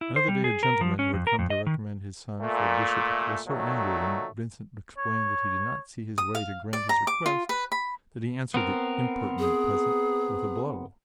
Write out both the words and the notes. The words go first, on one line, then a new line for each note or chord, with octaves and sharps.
Another day a gentleman who had come to recommend his son for a bishopric was so angry when Vincent explained that he did not see his way to grant his request that he answered the "impertinent peasant" with a blow.
E4
C5
G3
G#4
A#4
F3
C#4
F2
A#4
F2
D#5
D#3
A#2 A3
A#2 D#3 F#3 A3
C#5
D#6
F5
D5
A#5
D6
F4
B4
B5
B3 C4 A#4
G#4